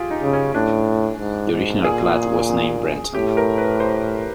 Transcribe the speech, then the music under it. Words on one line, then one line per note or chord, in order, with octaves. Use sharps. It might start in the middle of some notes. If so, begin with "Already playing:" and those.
The original plat was named Brenton.
Already playing: F4 G4 G#4
D#4
C#3
C#4
A2 D4
G#2
G#2
A#2 G#4
A2 G4
A#4
B4
C5